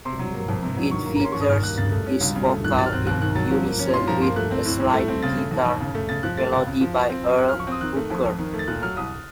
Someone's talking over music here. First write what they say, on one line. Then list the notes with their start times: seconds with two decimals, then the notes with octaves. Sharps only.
It features his vocal in unison with a slide-guitar melody by Earl Hooker.
0.05 C3 C6
0.19 F#3
0.34 A#3
0.49 F2
0.62 C3
0.77 F#3
0.91 D#3 C#6
1.06 A#3
1.16 A#5
1.20 C#4 C6
1.32 D#2 C#6
1.41 D#6
1.49 D#3 F6
1.63 A#3 F#6
1.77 C#3 A6
1.92 A3
2.06 C#4
2.21 C#2
2.35 C#3
2.49 A3
2.64 D#3 F#6
2.78 F#3 A6
2.86 F6
2.93 C4 F#6
3.07 D#2 F#6
3.22 D#3 F#6
3.35 F#3 A6
3.51 F3
3.65 A#3
3.79 C#4
3.94 A#2 C6
4.07 F3 A#5
4.22 A#3 C6
4.36 A3 F#6
4.51 C4
4.65 A2
4.80 A2
4.93 A3
5.08 C4
5.22 C#3 A6
5.37 A3
5.51 D#2
5.66 D#2
5.80 C#3
5.95 A3
6.09 C#3 A6
6.23 F3 F#6
6.37 A3 A6
6.52 C#2 A6
6.67 C#3
6.81 F3
6.95 F3
7.09 C4
7.24 F#2
7.38 F#2 F#6
7.49 F6
7.53 F3
7.60 C#6
7.67 C4 D#6
7.81 D#3 F#6
7.96 A3
8.10 F2
8.24 F2
8.38 D#3
8.54 A3
8.59 A6
8.68 A#2 F#6
8.82 F#3 F6
8.97 C2 D#6